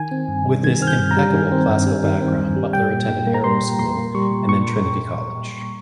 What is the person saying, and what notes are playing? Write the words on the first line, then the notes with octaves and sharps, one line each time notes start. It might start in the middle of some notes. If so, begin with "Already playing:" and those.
With this impeccable classical background, Butler attended Harrow School and then Trinity College.
Already playing: D#3 G#5
C4
G2
G3
D#3 G#6
C4 F6
G6
G2
A#5
G3
D#3
C4
G2
G3
D#3
C4
G2
G3
G3 G5
A#2
A#2
A#3
A#5
G3 C6
A#2
A#2 C6
A#3
G3 C#6
A#2
A#2 C#6